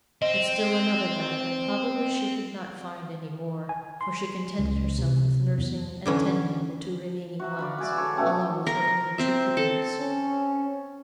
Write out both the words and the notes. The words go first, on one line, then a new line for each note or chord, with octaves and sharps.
But still another died, and probably she could not find any more, for she contented herself with nursing, and tending the two remaining ones, along with her own two kittens.
C4 D#5
G#5
C6
C#2
C3
E2
D3 E3 C#4
F#4 E5 A#5
D5 F5 B5
F#4 G#4 D5 E5
A4 C#5
B2 A3 C#4 G4
A#4
C4 E5
A4
C#4